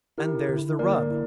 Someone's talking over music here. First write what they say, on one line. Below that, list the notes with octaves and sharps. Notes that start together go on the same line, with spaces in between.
And there's the rub.
E4 G4 A#4
D3
A#3 A#4 D5
E4